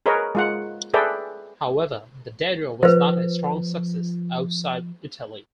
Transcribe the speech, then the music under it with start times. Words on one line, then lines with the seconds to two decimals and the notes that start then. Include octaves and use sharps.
However, the Dedra was not a strong success outside Italy.
0.06 G#4 A#4 B4 C#5 D#5
0.35 G#3 F4 F#5
0.94 G#4 A4 B4 D5 E5 G5
2.83 F3 B4 C5